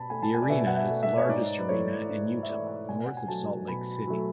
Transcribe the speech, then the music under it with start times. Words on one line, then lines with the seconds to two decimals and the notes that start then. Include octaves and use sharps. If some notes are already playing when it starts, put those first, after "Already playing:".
The arena is the largest arena in Utah north of Salt Lake City.
Already playing: B2 A5 B5
0.10 A3 G#5
0.23 A5
0.35 G#5
0.42 D5
0.50 B2 E5
0.67 F#5
0.77 E5
0.90 A3
1.03 E5
1.17 C#5
1.29 G#2 D5
1.58 B4
1.69 E3 A3 C#5
2.09 G#2 D5
2.43 E5
2.49 E3 A3 D5
2.88 B2 G#5
3.06 F#5
3.17 G#5
3.28 F#3 A3 A5
3.68 B2 B5
4.07 F#3 A3